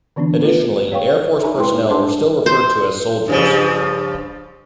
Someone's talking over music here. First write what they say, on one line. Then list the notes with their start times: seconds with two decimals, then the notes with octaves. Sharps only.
Additionally, Air Force personnel were still referred to as soldiers.
0.16 D3 E3 B3 C#4 D4
0.42 A3 F4 B4
0.92 C#5 F5 G5 C#6
1.43 D#4 G4 E5 G#5 A#5 B5
1.57 G#3 E4 G#4 B4 G5 C6
1.89 G3 D4 G#5 A5 C6 D6
2.46 C5
3.28 G2 C#3 F3